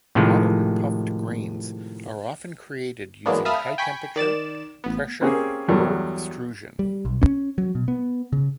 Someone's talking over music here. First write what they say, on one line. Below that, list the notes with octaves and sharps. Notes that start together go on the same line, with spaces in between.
Modern puffed grains are often created using high temperature, pressure, or extrusion.
A2 C3 D#3 F3 G#3
E3 F#3 G#3 A#3 B3 D4
E5 F5 A5 B5 D#6 F6
G5 G#5 B5 C#6 B6
D#3 D5 A6 E7
A1 B3
A#3 C4 C#4 G4 G#4
E2 G2 F#3 A4
G3
B1
C#4
F#3
B2
B3
C#3